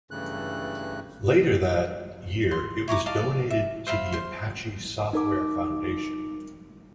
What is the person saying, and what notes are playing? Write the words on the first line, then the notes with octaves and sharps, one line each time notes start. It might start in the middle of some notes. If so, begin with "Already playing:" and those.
Later that year it was donated to the Apache Software Foundation.
G2 C#3 E3 A3 F#6
C6
E4 C#5 A#5 D6
D5 D#5 F5 A5
E5
C5 E5 F5 B5
C5 C6
D#4 A#4 D6